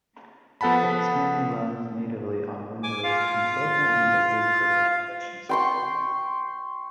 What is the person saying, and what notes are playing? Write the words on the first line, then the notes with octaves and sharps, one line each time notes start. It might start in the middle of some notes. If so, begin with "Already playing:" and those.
Xming runs natively on Windows and does not need any third-party emulation software.
F3 B3 A4 F#5 A5 B5
G#5 D6
F4 F5
G5 C6 C#6